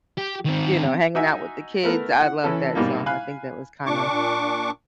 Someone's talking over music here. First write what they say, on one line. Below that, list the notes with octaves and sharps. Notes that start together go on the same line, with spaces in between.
you know, hanging out with the kids, I love that song. I think that was kind of
G4
D#3 C4
D#4 F#4 E5 G#5
A3 B3 A#4
F#5
E3 C#4 A4
G#2 B2 G3 A#3
F5 G#5 B5 F#6
A#2 D4 C#6 D6